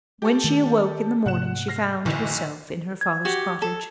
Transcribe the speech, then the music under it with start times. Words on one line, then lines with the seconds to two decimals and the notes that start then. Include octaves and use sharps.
When she awoke in the morning, she found herself in her father's cottage.
0.22 G4 A4
0.44 D#3 A3
1.26 G#2 C3 A3 F#5 F#6 E7
1.68 F6 A#6 C7
2.05 F#1 B1 A2 D3 E3
3.01 G#6
3.25 F#4 G4
3.62 A4